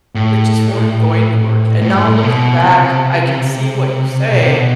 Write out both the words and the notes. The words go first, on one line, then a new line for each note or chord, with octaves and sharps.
that just weren't going to work, and now looking back, I can see what you say,
A2
A2
G2
A2
B2
C3
B2
C3
B2